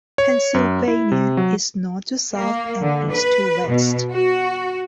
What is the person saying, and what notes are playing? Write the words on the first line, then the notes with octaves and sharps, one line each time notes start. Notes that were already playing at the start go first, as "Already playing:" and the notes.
Pennsylvania is north to south and east to west.
C#5
F#2
E4
C3
F#3
A#3
D3
B4
B2
F#4